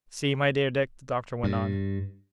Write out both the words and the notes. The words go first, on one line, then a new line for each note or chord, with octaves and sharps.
"See, my dear Dick!" the doctor went on.
G2